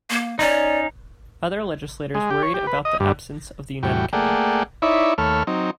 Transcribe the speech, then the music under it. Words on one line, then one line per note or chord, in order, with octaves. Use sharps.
Other legislators worried about the absence of the United Kingdom.
A#3
C#4 D#4 D5
G#3
G4
C#5
G4
B4
D#5
G2
E2 A2 G3 F#4 G5
A3 A#3 G#4 D5 F#5 G5
D#4 E4 C#5 D5 E5 B5
D#2 A3 A4 C#5 B5 F6
F#3 C4 D#4